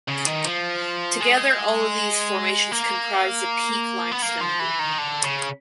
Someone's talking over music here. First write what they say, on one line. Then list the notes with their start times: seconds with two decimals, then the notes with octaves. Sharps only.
Together all of these formations comprise the Peak Limestone Group.
0.09 C#3
0.27 D#3
0.45 F3
1.21 G#3
2.72 A#3
4.12 B3
4.22 A#3
4.41 F3
4.60 E3
4.79 D#3
4.98 D3
5.23 C#3